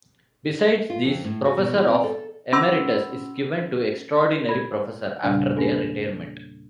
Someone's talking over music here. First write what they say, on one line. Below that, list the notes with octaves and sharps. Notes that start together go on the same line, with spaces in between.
Beside these, professor of Emeritus is given to extraordinary professor after their retirement.
F4
F2
A2
F#4
B2
E3
C4
A4
C#4 B5 C6 E6
B5 G#6
E2 A#2 C#3 G3 D4 D5
A#3 C#4 D4 A4